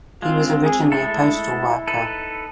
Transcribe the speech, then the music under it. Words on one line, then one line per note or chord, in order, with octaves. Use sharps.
He was originally a postal worker.
G#3 C4 F4
G#4
G#3 A3 E4 A4
D#4 A4 B4